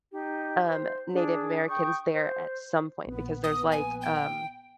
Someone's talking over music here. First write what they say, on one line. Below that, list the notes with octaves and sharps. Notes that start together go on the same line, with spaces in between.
um, Native Americans there at some point, because there's, like, um,
D#4 G4
C5
D4 G#4
G5 C#6 D#6 G6
C5
A#1 B3 B4
D#6
G#5
G5